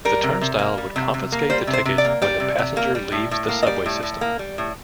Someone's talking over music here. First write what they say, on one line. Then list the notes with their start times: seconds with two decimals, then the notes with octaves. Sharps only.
The turnstile would confiscate the ticket when the passenger leaves the subway system.
0.05 G3 A#4
0.23 C3
0.41 C3
0.59 A#3
0.78 G3
0.96 C3
1.14 C3
1.32 A#3
1.50 G3 C5
1.67 C3
1.73 C5
1.85 C3
1.98 D5
2.05 A#3
2.22 G3 D5
2.40 C3
2.58 C3
2.77 A#3
2.95 G3
3.12 A2
3.31 A2
3.49 A#3
3.63 D#5
3.66 G3 D5
3.86 A2
4.03 A2
4.21 A#3
4.39 G3
4.58 A2